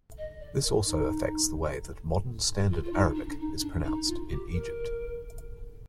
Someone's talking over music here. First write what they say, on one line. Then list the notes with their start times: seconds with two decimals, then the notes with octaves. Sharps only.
This also affects the way that Modern Standard Arabic is pronounced in Egypt.
0.17 D#5
0.40 D5
0.64 A#4
0.85 D#4
2.69 F4
2.83 F4
2.93 D#4
3.15 D4
3.39 D#4
3.61 D4
3.84 D#4
4.07 F4
4.30 G4
4.52 A#4